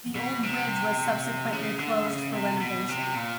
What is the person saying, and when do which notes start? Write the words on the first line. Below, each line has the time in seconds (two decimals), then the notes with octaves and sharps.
The old bridge was subsequently closed for renovation.
0.15 B2
0.43 C3
1.52 C#3
1.79 D3
2.06 C#3
2.33 C3
2.61 B2
2.88 C3
3.15 A#2